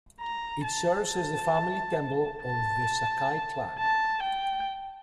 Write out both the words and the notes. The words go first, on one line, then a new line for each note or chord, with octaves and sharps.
It served as the family temple of the Sakai clan.
A#5
A5
A5
A5
A5
G5